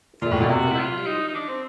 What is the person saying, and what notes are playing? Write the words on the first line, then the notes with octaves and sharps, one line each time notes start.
So that's what I mean the
A#2 F4
A2
A#2
B2 F4
C3 F#4
E4
F4
D#4
D#4
D4
C4